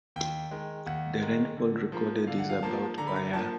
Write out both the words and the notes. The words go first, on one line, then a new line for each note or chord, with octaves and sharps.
The rainfall recorded is about per year.
D#2 G5
D#3 G#3
D#2 F#5
D#3 G#3
D3
F3 A#3
D3 F5
F#5
F5
F3 A#3 A5
D3 A#5
B5
A#5
F3 A#3 A5